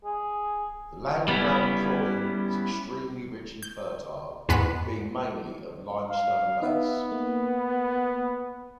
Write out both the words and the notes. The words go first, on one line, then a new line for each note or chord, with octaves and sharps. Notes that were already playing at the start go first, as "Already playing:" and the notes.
The land around Cloyne is extremely rich and fertile, being mainly of limestone base.
G#4
G3 B3 C#4 E4
G6
E2 G#2 B3 B4 B6
F5
B3 D#4 B4 E5
A#3